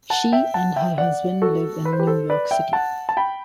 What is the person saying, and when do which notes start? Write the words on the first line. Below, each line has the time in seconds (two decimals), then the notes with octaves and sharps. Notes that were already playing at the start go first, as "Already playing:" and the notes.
She and her husband live in New York City.
0.10 F#5 A5
0.33 E5 G5
0.54 F#5 A5
0.76 E5 G5
0.98 D5 F#5
1.42 F#4 A4
1.85 B4
1.92 C5
1.99 G4 B4
2.07 A4 C5
2.30 B4 D5
2.51 E5 G5
2.73 F#5 A5
3.09 A5
3.17 G5 B5